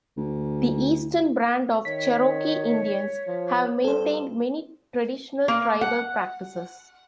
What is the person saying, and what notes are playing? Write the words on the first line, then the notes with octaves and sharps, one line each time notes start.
The Eastern Band of Cherokee Indians have maintained many traditional tribal practices.
D2
D#3 C#5 B6
F3
G2 A4 C5
A#3
F#5